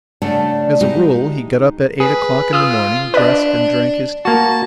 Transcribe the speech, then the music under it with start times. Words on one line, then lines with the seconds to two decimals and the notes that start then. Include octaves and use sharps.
As a rule he got up at eight o'clock in the morning, dressed, and drank his tea.
0.22 C#3 A3 D4 D5 F#5 A5
0.81 G#3 D#4 E4 F#4 G4
2.00 G#4 B4
2.53 F4 D#6 E6
3.14 D4 B4 D5
4.25 A#3 F#4 A5